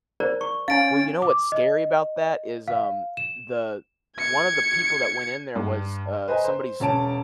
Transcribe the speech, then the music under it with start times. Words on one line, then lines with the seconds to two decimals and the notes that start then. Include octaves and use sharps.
Well, you know what's scary about that? Is, um, the one of the people that went in there was, uh, somebody's
0.20 A#4 C5 D5
0.41 C#6
0.68 C#4 F5 G#5 A6 D7
1.22 D6
1.52 D#5
2.68 F5
3.17 E7
4.18 G#6 C#7
5.55 G2
6.28 B4 C5 D#5 G#5 A#5
6.45 C5
6.80 E1 C#4 A5 D7